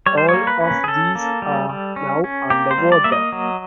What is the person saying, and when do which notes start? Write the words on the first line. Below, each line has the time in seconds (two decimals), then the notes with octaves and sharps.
All of these are now underwater.
0.06 G3 C#5
0.18 C5
0.29 C#5
0.34 A#3
0.47 B4
0.60 C#4
0.84 G#4
0.88 C#4 A4
1.15 A#3
1.42 G3
1.69 G3
1.96 C#4
2.24 C#4
2.50 A#3 G4
2.71 C5
2.78 G3
2.92 D5
3.04 A#3 E5
3.12 D#5
3.32 F#3